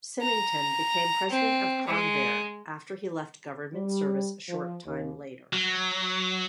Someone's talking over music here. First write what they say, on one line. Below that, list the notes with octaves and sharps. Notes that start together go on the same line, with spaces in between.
Symington became president of Convair after he left government service a short time later.
A#5
C4
G#3
G3
F3
D#2
F#3